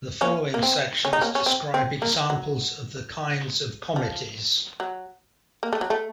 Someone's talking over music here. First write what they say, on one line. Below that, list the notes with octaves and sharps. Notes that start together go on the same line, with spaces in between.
The following sections describe examples of the kinds of "Comites".
A#3 C#4
A#3
C4
C#4
D#4
A#3 C#4
C#4
C4
C4
A#3
F#3
F3
F#3
A#3
A3
F#3
A3